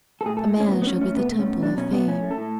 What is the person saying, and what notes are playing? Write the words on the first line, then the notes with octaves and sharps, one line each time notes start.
A man shall be the Temple of Fame.
A4
A2 G#4
A3 A4
A2 C#4
F#3 B3
B3
A2 C#4
A3 C#4
B2 B3
A3
C#4
B2
F#3 D4
B2 C#4
A3 B3
A2 C#4
A3
A4
A2